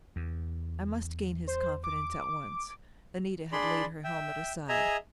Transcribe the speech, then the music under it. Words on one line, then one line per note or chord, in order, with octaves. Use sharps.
I must gain his confidence at once. Anita had laid her helmet aside.
E2
C5
D6
D4 G#4 D5 B5 C6
E5 G5
G#4 D#5 E5 G#5 A#5